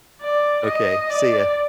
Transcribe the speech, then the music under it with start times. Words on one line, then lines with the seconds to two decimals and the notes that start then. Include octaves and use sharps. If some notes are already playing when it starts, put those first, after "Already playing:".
Okay. See ya.
0.21 D5
0.66 D#5
1.10 D5